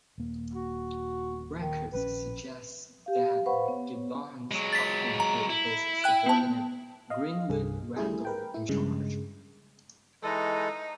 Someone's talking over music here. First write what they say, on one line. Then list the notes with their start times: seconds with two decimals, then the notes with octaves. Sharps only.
Records suggest that Gibbons often put his subordinate Greenwood Randall in charge.
0.18 D#1 A#3
0.54 F#4
1.60 D#3
1.93 A#1 F#3 C#4 B4
3.06 G4 F5
3.46 B4 C5 F5 F#5 B5 C#6
3.66 B3 C#5
4.51 F#3 G#3
4.73 A6 B6
5.20 A#5
5.49 E4
6.04 G5 F#6
6.26 B3 A5
7.10 D#5 F5
7.49 C2 G2 G#4
7.96 G3 A3 E4 G#4
8.25 A#4 B4 G5
8.54 E4
8.69 G2 C#3 G#3
10.23 E3 G#3 D#4 A4